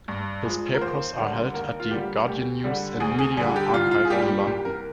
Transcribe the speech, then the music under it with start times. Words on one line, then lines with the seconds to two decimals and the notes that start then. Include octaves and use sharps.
His papers are held at the Guardian News and Media Archive in London.
0.08 G2
0.45 F3 G#3
0.74 A#4
0.81 D#2 C5
1.18 D3 G3 A#3
1.54 D#2 A#4
1.80 F4
1.91 D3 G3 A#3 G4
2.27 D2 G4
2.64 D3 G3
3.00 D2 G#4
3.19 G#4
3.37 D3 G3 G#4
3.56 G4
3.74 C2 F4
3.91 F4
4.05 G#4
4.10 A#2 G3 A#3 G4
4.28 G4
4.47 C2 G4
4.65 A#4